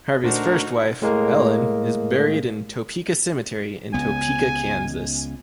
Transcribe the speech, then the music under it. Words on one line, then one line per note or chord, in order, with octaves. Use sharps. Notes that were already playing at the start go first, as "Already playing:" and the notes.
Harvey's first wife, Ellen, is buried in Topeka Cemetery in Topeka, Kansas.
D2 A#2 D4 D#4 F#4 A#4 C5
A2 G#3 A#3
C#2 B3 G#5